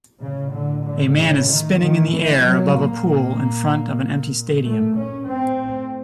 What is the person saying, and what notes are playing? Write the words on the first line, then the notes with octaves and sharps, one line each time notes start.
A man is spinning in the air above a pool in front of an empty stadium.
A2 C#3
D3
D3
C#3
D#3
D#3
E3
F#3
A#2 A#3
A3
C#4
A2 C4